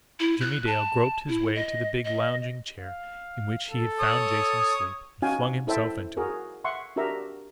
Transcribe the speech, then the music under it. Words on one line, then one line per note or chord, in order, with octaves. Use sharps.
Jimmie Dale groped his way to the big lounging chair in which he had found Jason asleep, and flung himself into it.
E4
F#6
A5
E4
D#5
D#5
F5
A4
C#5 D#6
C#4 D#4 F#4 F5 G5 G#5
E4 A4 C5 E5 G5
F#4 G#4 A#4
E5 F#5 C6 C#6
D4 F#4 G4 A#4 E5 A#5